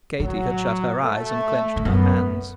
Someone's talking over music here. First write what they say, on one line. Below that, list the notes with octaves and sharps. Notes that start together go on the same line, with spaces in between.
Katie had shut her eyes, and clenched her hands.
A2 F#3
A3
A2
F#2 B3